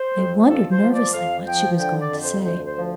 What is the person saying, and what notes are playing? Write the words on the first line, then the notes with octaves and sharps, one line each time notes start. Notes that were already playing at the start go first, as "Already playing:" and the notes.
They wondered nervously what she was going to say.
Already playing: C5
F2
F3 A4
C5
F3
D5
F2 F5
F3 G5
D3 G5
D5
F2
C5
D2 C5
C5
F3